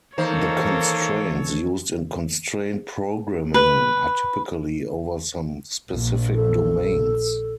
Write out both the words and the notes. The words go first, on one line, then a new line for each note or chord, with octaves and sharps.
The constraints used in constraint programming are typically over some specific domains.
D#3 E3 A#3 A4 C5 C#5
B4
A#1
A4